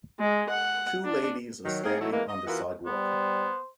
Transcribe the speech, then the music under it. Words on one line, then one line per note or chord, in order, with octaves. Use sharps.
Two ladies are standing on the sidewalk.
G#3
F#5
D4
D#3 F#3
A#3 C4 D#4 G#4
E3 F#3 A3 D#4 E4
A2 E3 G#3 A#3
D#5
E3 B3 F4 F#4 A#4
G3 B3 C5